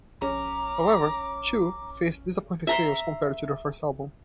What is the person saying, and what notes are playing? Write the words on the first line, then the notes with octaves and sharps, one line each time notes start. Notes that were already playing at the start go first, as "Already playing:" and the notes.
However, "Two" faced disappointing sales compared to their first album.
A#1 C#4 A#5 D6
E5 A#5 C6